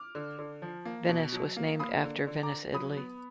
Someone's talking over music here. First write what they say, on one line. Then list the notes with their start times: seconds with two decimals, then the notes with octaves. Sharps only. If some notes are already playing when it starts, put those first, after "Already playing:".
Venice was named after Venice, Italy.
Already playing: D6 F6
0.15 D3
0.39 D3
0.62 F3
0.85 A#3
1.09 B2
1.32 F#3
1.57 A#3
1.79 A#3 B5 D#6
2.04 D3
2.27 D3
2.43 A#5 D6
2.50 D3
2.74 F#3 B5 D#6
2.97 B3